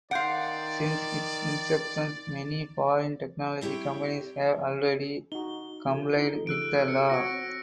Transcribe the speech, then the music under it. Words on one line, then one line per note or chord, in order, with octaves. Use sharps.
Since its inception many foreign technology companies have already complied with the law.
D#3 D5 F5 F#5 C6 G6 D7
C4 E4 G4 C#5 G5
D#4 F#4 G7
F4 G4 A4
D#4
C#3 E6 F#6 D7
C#7
C4 F#4 C#5 A#6 D7